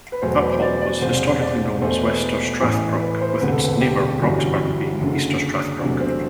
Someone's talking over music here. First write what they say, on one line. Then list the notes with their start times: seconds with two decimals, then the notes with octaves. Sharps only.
Uphall was historically known as Wester Strathbrock, with its neighbour Broxburn being Easter Strathbrock.
0.12 B4
0.21 E2 B2 F#3 A3 C5
0.33 A4
0.42 B4
0.52 C5
0.62 D5
0.81 D5
1.01 E1 E2 C3 C5
1.41 D5
1.81 E2 B2 A3 C5
2.01 B4
2.61 A1 A2 E3
3.02 B4
3.21 C5
3.41 E1 D2 C3 B4
3.52 A4
3.65 B4
3.81 G4
4.21 G1 F#2 E3 G3 F#4
5.00 F#1 F#2 D3
5.80 E2 C3 F#3 A3 D4
6.00 C4